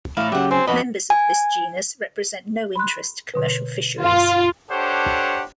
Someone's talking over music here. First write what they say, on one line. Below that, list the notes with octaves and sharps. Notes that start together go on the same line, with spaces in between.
Members of this genus represent no interest to commercial fisheries.
A2 E3 E4 D5 F5
C#3 F#3 G4 E5 F#5
C4 G#5
F2 B2 F#4 D#5 B5
G#5
B5 C6 F#6
B2 D3 B4
G2 F4 F5 A6
D4 G4 A4 C5 C#5 F#5